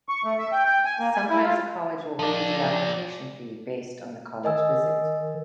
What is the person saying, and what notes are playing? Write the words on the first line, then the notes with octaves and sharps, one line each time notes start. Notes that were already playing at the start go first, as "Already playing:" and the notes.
Sometimes a college will waive the application fee based on the college visit.
C#6
A3
E5
G5
G5
G#5
A#3
G#5
E4
F4
F3 D5
D#3 D#5 G#5 E6